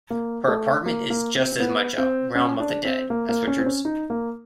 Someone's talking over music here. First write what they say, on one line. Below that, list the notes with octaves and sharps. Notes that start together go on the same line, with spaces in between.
Her apartment is just as much a "realm of the dead" as Richard's.
A#3
A3
A#3
A#3
C4
C4
B3
C4
C#4
D4
C4
A#3
A#3
C#4
C4
C#4
D#4
A#3